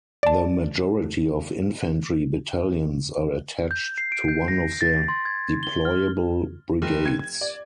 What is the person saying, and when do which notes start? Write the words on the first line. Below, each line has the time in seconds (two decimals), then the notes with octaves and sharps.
The majority of infantry battalions are attached to one of the deployable brigades.
0.23 D5 A5
3.71 G6
3.98 C7
4.12 D7
4.28 G6
4.48 A#6
4.81 A6
5.08 C6
5.25 G#6
5.63 G7
5.85 F6
6.82 F1
7.05 G#6
7.41 D5